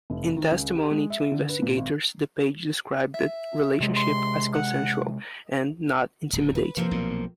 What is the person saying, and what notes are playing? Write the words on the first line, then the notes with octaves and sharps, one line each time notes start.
In testimony to investigators, the page described the relationship as consensual and not intimidating.
F1
D#3
C#2
G4
G#3
E5
D3
B4
A#2
G#1
E5
C3 G#3
C6
F#5
D1 D#2
B4
C3 F3 A#3 C4
B1 A#2